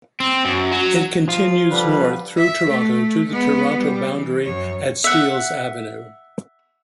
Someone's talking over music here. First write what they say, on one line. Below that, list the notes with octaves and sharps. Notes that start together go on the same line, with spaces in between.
It continues north through Toronto to the Toronto boundary at Steeles Avenue.
C4
F#2
F#3
F3 F4
D3 G3 B4
E5
A3
G#3 B3
G3
E3
F#2 C#5
E5 F#5